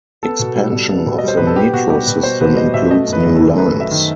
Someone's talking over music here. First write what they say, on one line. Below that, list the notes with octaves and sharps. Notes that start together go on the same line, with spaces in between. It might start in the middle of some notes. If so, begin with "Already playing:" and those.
Expansion of the metro system includes new lines.
B3 A4
B2
G3
B2
B3
B2
D#5
G3 C5
B2 B4
A4
B3 G4
B2 F#4
G3 G4
B2 B4
B3 C5
B2 B4
G3 D#5
B2 E5
A3 D#5
F#2
B4
D#3
A4
F#2
A3 B4
F#2
E5
D#3